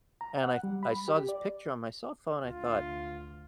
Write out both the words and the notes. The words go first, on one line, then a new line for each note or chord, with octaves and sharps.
And I I saw this picture on my cell phone. I thought,
A#5
F#5
G3
B5
G4
D5
D2 F4